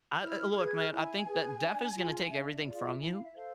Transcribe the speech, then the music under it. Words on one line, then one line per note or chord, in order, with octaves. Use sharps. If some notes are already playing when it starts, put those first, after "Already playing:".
I l l look, man, I think that death is gonna take everything from you,
E4 F6
F6
F6
G#4 B4 G#6
F6
E4 G#5
G#4 B4
D4
F4 G#4
F5
D4 E5
F5
E5
F4 G#4 D5
F5
E5
E4 G#5
F5
E5
A4 C5 F5